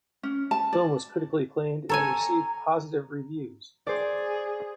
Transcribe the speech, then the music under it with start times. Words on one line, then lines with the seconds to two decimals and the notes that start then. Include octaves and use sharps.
The film was critically acclaimed and received positive reviews.
0.23 C#4
0.51 A5
0.73 D5
1.89 A4 C#5 G#5 A#5
3.87 G#4 C5 D5